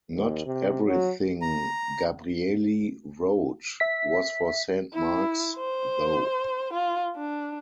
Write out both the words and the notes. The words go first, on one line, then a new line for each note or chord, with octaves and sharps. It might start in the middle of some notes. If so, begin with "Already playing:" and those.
Not everything Gabrieli wrote was for Saint Mark's, though.
D#2
C3
F#3
A#5
E5 B6
E4
C5
F4
D4